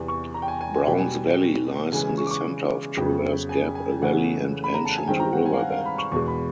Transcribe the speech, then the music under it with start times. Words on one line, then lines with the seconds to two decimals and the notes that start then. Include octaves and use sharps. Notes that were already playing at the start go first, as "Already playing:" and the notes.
Browns Valley Lies in the center of Traverse Gap, a valley and ancient riverbed.
Already playing: E2 C3 E3
0.08 C#6
0.34 A#5
0.42 G5
0.48 G#5
0.61 G#5
0.74 G#5
0.86 B2 G3 B3 G5
0.98 G#5
1.92 C#3 E3 G#3 G#5
2.18 C#6
2.26 D6
2.31 C#6
2.97 F2 C#3 F#3 B3
3.49 G#5
3.75 G#5
4.01 C#3 E3 A3 F#5
4.64 B5
4.74 A#5
4.85 A5
4.95 G#5
5.07 G2 D#3 G#3 C4 G5
5.20 A#5
5.33 F#5
5.46 G#5
5.53 F5
5.59 F#5
5.72 F5
5.86 B5
5.98 C#6
6.11 E2 B2 G#3 C#6
6.28 B5